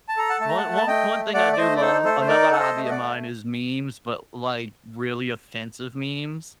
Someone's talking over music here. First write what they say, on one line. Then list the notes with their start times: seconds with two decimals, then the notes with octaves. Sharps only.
One one one thing I do love another hobby of mine is memes, but, like, really offensive memes.
0.09 A5
0.17 A4 A#5
0.29 F#5 A5
0.40 A3 A5
0.49 A#5
0.58 F#5 A5
0.64 A3
0.77 A5
0.87 A3 D#5 G5
1.10 A3
1.34 A3 D5 F#5
1.53 D5
1.57 A3 C5 D#5
1.76 D5
1.81 D#4 A4 C5
2.04 A3 A4 C5
2.21 C5
2.28 D#4 A#4 D5
2.51 A4 F#5
2.59 C5 D#5
2.76 A3
2.85 D#5
2.90 D5 F#5
2.99 A3